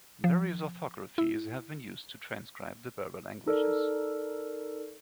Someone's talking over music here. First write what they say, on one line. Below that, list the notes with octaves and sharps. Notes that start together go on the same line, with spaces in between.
Various orthographies have been used to transcribe the Berber languages.
F3
E4
D#4 A4 A#4 D5